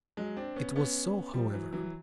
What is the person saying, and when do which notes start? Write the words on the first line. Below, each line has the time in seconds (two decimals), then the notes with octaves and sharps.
It was so, however.
0.17 F#3 G#3
0.37 C4 D4
0.56 B3 C#4
0.76 B3 C#4
1.33 F3 G3
1.53 E3 F#3
1.73 E3 F#3
1.83 F#3